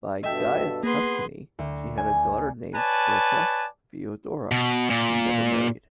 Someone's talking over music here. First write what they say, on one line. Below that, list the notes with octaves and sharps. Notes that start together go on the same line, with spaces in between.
By Guy of Tuscany she had a daughter named Berta Theodora, who never married.
G2 B2 A4 D#5 E5 G5
A#3 B3 G#4 B4 C6
D2
G#5
B4 C#5 D5 G#5 A5
B2
A#2